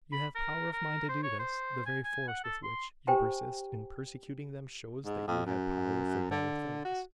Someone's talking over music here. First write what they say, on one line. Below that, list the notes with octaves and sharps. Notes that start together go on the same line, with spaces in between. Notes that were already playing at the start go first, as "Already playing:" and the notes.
You have power of mind to do this: the very force with which you persist in persecuting them shows that you have power for better things.
B5
A#4
A#4
C5
C#5
C5
G#5
G#5
F#5
A4
C6
G4 C5 G5 G#5 A#5
G#2
F2
F#2
D3
F#4